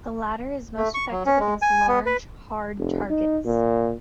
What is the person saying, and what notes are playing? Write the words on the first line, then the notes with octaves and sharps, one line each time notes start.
The latter is most effective against large, hard targets.
A3
C#6
F#3
C#4
G#3
G#5
B3
B4
F1
D#4
A#2